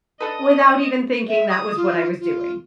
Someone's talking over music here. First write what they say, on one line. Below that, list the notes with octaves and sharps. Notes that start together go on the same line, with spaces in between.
without even thinking that was what I was doing.
D4 A4 B4 D#5 D#6
E5
D#6
F4
F4